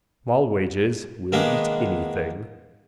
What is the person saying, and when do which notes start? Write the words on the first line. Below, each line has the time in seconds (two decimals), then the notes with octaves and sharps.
Small wages. Will eat anything.
1.32 D#3 G#3 A#3 B3 D4